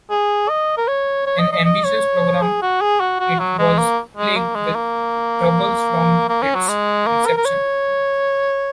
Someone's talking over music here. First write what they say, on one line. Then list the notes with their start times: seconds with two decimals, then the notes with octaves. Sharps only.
An ambitious program, it was plagued with troubles from its inception.
0.11 G#4
0.49 D#5
0.77 A#4
0.88 C#5
1.26 C#5
1.39 D#5
1.52 D#5
1.65 D#5
1.85 C#5
2.42 G#4
2.62 F#4
2.81 G#4
3.01 F#4
3.20 F#4
3.39 F#3
3.59 G#3
3.78 A#3
4.17 G#3
4.37 A#3
4.56 G#3
4.75 A#3
6.29 A#3
6.42 C#4
6.55 F#3
6.68 G#3
7.07 A#3
7.26 A#4
7.37 A#4
7.45 C#5